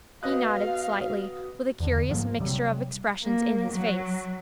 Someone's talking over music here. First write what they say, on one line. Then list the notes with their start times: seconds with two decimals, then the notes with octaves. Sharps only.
He nodded, slightly, with a curious mixture of expressions in his face.
0.23 B3 F#4 D#5 F5 F#6
1.80 E2 D3
2.09 G#2 F3 A#3
2.40 C3 F#3 G3
3.24 A#3
3.71 F#3